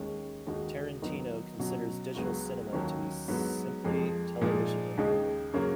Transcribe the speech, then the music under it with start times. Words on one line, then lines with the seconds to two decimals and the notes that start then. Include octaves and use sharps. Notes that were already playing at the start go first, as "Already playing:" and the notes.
Tarantino considers digital cinema to be simply television in public.
Already playing: D#2 D#3 G#3 C#4
0.46 D#2 D#3 G#3 D#4 F#4
1.02 D#3 F#3 B3 D#4
1.59 B2 F#3 C#4 F#4
2.15 C#2 C#3 F#3 B3 F#4
2.72 D#2 D#3 F#3 C#4
3.28 G#2 F#3 B3
3.84 F2 F3 G#3
4.41 A#2 F3 G#3 D#4
4.97 D#2 C#3 G#3 D#4
5.53 C#3 F#3 A#3 C#4 F#4